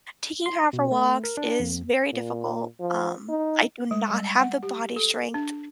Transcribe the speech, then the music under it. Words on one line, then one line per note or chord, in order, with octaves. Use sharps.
taking her out for walks is very difficult, um, I do not have the body strength
C6
B2
A3
A#4
D4
F2
A#2
F3
D#4
G#3
G3
F#5
G4
A4
D4